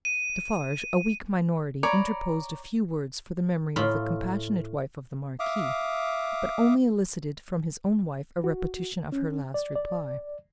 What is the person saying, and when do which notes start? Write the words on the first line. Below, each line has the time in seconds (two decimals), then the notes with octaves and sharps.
Defarge, a weak minority, interposed a few words for the memory of the compassionate wife of the Marquis; but only elicited from his own wife a repetition of her last reply.
0.05 D#7
1.83 C#5 D5 A#5 B5
3.76 A2 F4 B5
5.40 E5 F5 D6 D#6
8.44 F#4
9.12 C#4
9.54 D5
9.75 D5